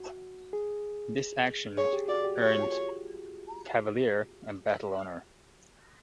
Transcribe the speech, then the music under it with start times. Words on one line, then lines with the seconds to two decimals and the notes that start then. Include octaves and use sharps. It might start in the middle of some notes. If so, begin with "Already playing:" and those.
This action earned "Cavalier" a battle honour.
Already playing: F#4
0.53 G#4
1.77 G#4 C#5
1.93 G4
2.08 F#4 D5
2.24 G4
2.39 F4 C#5